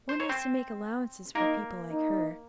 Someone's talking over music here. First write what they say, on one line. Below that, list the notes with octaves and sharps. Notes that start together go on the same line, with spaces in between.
One has to make allowances for people like her.
C5
C#5
C4 C5
A#3 D#4 A#4
D#4